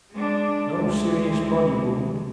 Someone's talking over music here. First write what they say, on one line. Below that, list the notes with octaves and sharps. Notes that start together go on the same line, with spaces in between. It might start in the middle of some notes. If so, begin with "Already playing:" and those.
No serious body wound.
G#3 D4
D2 G#3